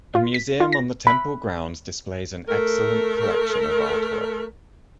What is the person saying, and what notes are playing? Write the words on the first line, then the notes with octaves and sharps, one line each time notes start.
A museum on the temple grounds displays an excellent collection of artwork.
F4
B6
F4
A#6
B5
A3 A#4